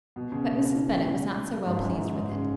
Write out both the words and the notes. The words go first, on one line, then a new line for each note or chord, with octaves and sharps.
But Mrs. Bennet was not so well pleased with it.
B2
C#3
C#3
C#3
G#2
F#2
G#2
F#2
G#2
C#3